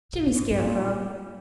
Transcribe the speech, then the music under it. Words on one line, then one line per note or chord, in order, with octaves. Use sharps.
"Jimmy Scarecrow!"
A#2
A#2
G#2
G#2
A#2